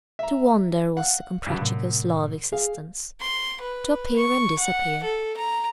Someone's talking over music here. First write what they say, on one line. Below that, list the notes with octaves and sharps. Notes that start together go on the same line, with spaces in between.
To wander was the Comprachicos' law of existence--to appear and disappear.
E5 A#5
F5 F#5
G2 C#3 F#3
F#2 A2 C3
G#4 F5
C6
B4
C#6
F#5
A4
A#5